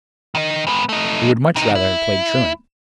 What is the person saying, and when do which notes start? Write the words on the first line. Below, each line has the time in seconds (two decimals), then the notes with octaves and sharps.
He would much rather have played truant.
0.35 D#3 D#5
0.67 G#2 B3
0.89 A3 D#4
1.56 C3 D#4
1.75 E4